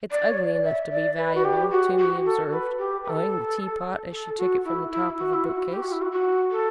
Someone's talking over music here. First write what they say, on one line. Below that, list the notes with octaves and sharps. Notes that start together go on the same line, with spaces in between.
"It's ugly enough to be valuable," Toomey observed, eyeing the teapot as she took it from the top of the bookcase.
D5
C#5
D5
E5
D5
B4
F#4
G4
F#4
F#4
A4
B4
G4
B4
A4
A4
F#4
E4
E4
F#4
E4
F#4
G4
F#4
E4
F#4
F#4
A4